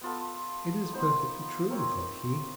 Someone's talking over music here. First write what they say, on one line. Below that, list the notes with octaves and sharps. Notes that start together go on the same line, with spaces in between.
"It is perfectly true," thought he.
B3 F4 A4
B3 D#4 C5 D#5
C4 A#4 C#5